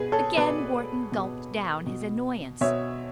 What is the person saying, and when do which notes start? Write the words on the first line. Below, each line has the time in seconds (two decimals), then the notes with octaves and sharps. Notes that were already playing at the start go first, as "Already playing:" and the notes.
Again Wharton gulped down his annoyance.
Already playing: B2 G#4 B4
0.12 A4 C#5
0.37 B2 B4 D5
1.12 B2
1.86 B2
2.61 B2 C#5 E5